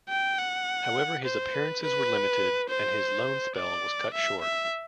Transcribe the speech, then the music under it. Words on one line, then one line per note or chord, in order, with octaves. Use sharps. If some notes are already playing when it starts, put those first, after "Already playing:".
However his appearances were limited and his loan spell was cut short.
G5
F#5
C5
B4
B4
C5
D5
E5
E5